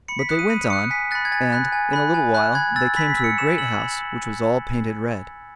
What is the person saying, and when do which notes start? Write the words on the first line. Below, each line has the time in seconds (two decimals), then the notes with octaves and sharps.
But they went on, and in a little while they came to a great house which was all painted red.
0.08 B5 C#7
0.19 B6
0.29 D#6 F#6 C#7
0.39 D#7
0.50 B5 D#7
0.70 D#6 F#6 C#7
0.90 G#5 B6
1.11 B5 F#6 A6
1.25 G#6
1.32 G#5 A6
1.52 B5 F#6
1.72 G#5
1.93 B5 F#6
2.14 G#5
2.34 B5 F#6
2.55 B5 G#6
2.76 E6 A6
2.96 B5 B6
3.10 B6
3.17 E6
3.24 C#7
3.37 B5 E7
3.58 E6 F#7
3.79 B5